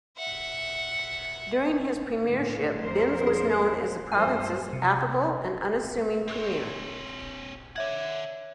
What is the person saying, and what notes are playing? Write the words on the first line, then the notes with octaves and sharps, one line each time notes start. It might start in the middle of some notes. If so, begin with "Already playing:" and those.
During his premiership, Binns was known as the province's affable and unassuming premier.
E5 F#5
A2 D3
F2 A#4 C5
G#4
G2 F3 C5 G#5
C3
C4 C#5
C#5 D5 E5 F#5 G#6